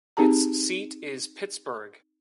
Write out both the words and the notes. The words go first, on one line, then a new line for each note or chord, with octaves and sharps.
Its seat is Pittsburg.
C4 D#4 G4 G#4 A5 A#5